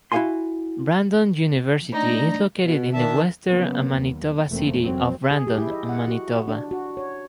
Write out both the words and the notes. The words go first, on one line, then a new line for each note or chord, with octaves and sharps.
Brandon University is located in the Western-Manitoba city of Brandon, Manitoba.
E4 F#4 G4 F5 G#5 C6
A3 D4 D#4 D5 A#5
B2
D#3 D4 E5 A5
C#3 F#3 A#3 B3
D#2
F1 E2 A3 A#3 C4
F2 F#3 C4
G#4
G4
E4
D#5
F#5
F#4
D4
F#4
C#5